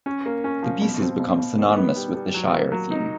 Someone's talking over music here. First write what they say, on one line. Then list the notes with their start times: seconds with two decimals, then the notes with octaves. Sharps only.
The piece has become synonymous with the Shire theme.
0.06 C#4
0.26 A#3
0.44 C#4
0.63 F3
0.81 B2
1.00 C4
1.20 B2
1.39 B2
1.58 D#3
1.77 B3
1.96 G3
2.15 G3
2.34 F#3
2.53 A#3
2.72 F#3
2.91 D#4